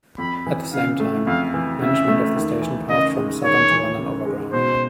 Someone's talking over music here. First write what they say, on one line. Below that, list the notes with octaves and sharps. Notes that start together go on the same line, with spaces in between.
At the same time, management of the station passed from Southern to London Overground.
F2 B5
E3
C#3 F5
A3
F2 F5
E3
C#3 E5
A3
D#2
E3
C#3 D#5
G#3
D#2 C#5
E3
C#3
G#3
B2 C5